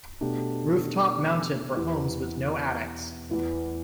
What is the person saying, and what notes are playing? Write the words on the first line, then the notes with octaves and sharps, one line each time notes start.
Rooftop Mounted for homes with no attics.
B2 A3 D4 G4
E2 E3 B3 G4
E2 E3 B3